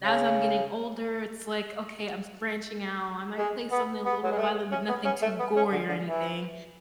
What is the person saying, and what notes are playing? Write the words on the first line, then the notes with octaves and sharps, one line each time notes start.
as I'm getting older, it's, like, okay, I'm s branching out, I might play something a little violent, but nothing too gory or anything,
C#3
G#3
B3
B3
F#3
G#3
A3
C#4
B3
C#4
A3
B3
C#4
D3
D3
E3